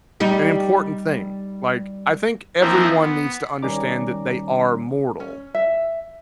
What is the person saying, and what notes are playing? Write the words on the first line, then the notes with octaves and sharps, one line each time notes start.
an important thing, like, I think everyone needs to understand that they are mortal.
G3 D#4 G4
E3 F3 A#3 C4 D#4 E4
B3
D#3 G3 C#4 D#4 A#5 D6
C#4
E5